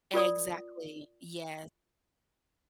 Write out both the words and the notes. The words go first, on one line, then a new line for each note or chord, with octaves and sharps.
Exactly, yeah.
F4 A#4 D5 D#6